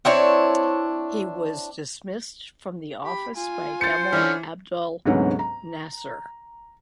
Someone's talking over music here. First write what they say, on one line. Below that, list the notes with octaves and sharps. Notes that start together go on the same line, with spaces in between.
He was dismissed from the office by Gamal Abdel Nasser.
C4 D4 E4 C#5
G4 B5
F4 G#5
C5 A6 C#7
D3 E3 C#4 F6
D2 G#2 C3 F#3 B3 C#4
A#5